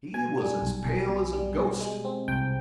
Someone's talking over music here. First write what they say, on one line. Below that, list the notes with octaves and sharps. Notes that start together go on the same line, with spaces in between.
He was as pale as a ghost.
B2 G#5
G3
B1
B1
B2
G3
B2
G#3
C4
C2 G5